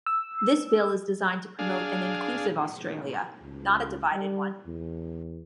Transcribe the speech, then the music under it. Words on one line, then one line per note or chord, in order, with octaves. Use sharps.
This bill is designed to promote an inclusive Australia, not a divided one.
E6
D4 G#4 F5
C#2
G3
E2